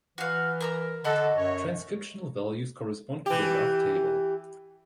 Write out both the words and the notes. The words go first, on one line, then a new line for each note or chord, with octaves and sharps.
Transcriptional values correspond to the above table.
E3 F#4 F5
A#4 A#5 E6
D3 F#4 A4 D#5 B5
F#2 C#5
E3 G4